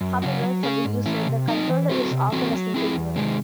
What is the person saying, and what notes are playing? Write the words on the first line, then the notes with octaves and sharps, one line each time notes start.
However, for the user, the controller is often a single unit.
F#2
C#3 F#3 C#4 F#4
F#3
C#4 G#4
G#2
E3 A3 C#4 E4
C3
F#3 C4 D#4
E3
C4 F#4 A4
C3
E3 C4 F#4 A4
F#3
C4 E4 G#4
E2
C3 D#3 G#3 C4